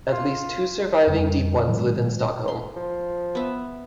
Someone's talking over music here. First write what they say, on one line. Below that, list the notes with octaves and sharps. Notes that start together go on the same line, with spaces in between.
At least two surviving Deep Ones live in Stockholm.
F4
F2 D3 G3
A2 D#3 F#3 G#3
C6
F3
B3 E5